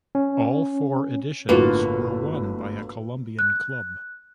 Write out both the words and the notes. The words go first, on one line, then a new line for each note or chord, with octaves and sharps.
All four editions were won by a Colombian club.
C#4
G1 A2 A#3 F4 F#4 B4
F#6